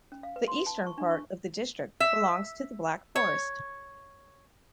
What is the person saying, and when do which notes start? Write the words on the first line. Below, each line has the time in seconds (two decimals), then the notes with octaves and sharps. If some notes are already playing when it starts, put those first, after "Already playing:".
The eastern part of the district belongs to the Black Forest.
0.12 C#4
0.23 F5
0.36 B4
0.48 C6
0.66 A5
0.86 C#6
0.98 D4
1.10 C#6
2.00 E5
3.16 C#5